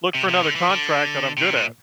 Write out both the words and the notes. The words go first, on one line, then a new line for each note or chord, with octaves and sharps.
look for another contract that I'm good at.
C3
C3
D3
E3
D3
C3
A#2